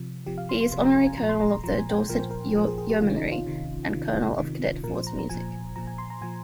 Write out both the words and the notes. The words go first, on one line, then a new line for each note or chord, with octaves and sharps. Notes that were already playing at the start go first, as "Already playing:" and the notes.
He is Honorary Colonel of the Dorset Yeomanry, and Colonel of Cadet Force Music.
Already playing: C3 F3
C3 F3 G4
F5
C6
C6
C3 F3 C6
A#5
G#5
G#5
A#2 F3 A#5
C6
A#5
A#5
A#2 F3 A#5
G#5
G5
G#5
A#2 F3 A#4
C5
A#4
A#2 F3 G#4
G#4
G#4
G4
C3 D#3 F4
C#4
D#4
D#4
F4
C3 D#3
C3 D#3
C3 D#3
A#2 F3 A#4
C5
A#5
A#5
A#2 F3 G#5
A#2 F3 A#5
G#5
C6
A#5
A#2 F3 G#5